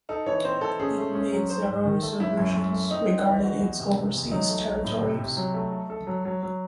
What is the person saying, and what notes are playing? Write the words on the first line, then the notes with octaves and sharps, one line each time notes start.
It made several reservations regarding its overseas territories.
D#4 A4
E3 C#5
C4 C5
E3 A4
C#4 G#4
A3
C#4
F#3
D#4 C5
G#2
D#3
A3
F#2 E4
F#2
F#2
A3
C4 D#4
C4
E3
F#4
E2
C3
C3
E2
F#3 D#4
A3
F#3
A2
C3
C3
F#3
A3
A4
A4
F#3
F#3
F#3